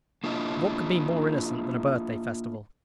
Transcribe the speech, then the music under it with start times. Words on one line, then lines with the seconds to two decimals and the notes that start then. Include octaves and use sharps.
What could be more innocent than a birthday festival?
0.24 A#3 D4 E4 F4 D#5